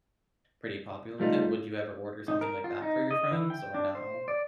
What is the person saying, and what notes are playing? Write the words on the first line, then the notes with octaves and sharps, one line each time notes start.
pretty popular with it. Would you ever order something like that for your friends or no?
G3 A3 D#4 F4
D#4
A#4
F4
D#4
D#5
E3
G5
D4
C5
D5